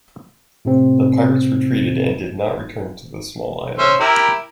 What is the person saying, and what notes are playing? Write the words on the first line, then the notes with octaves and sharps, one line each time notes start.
The pirates retreated and did not return to the small island.
A2 C3 C4
C#4 C5 E5
E4 G4 A#4